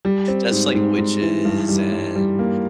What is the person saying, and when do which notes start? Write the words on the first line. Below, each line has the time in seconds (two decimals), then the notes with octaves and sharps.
just like witches and
0.05 G3
0.28 C4
0.51 G#2
0.74 G#2
0.98 G#2
1.21 E3
1.45 G2
1.68 G3
1.92 G2
2.16 G3
2.39 A#3